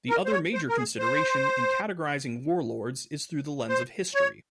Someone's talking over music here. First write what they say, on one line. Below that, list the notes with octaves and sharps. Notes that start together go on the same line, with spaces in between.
The other major consideration in categorizing warlords is through the lens of history.
A#4
C5
C#5
C5
A#4
G#4
C5
C5
C#5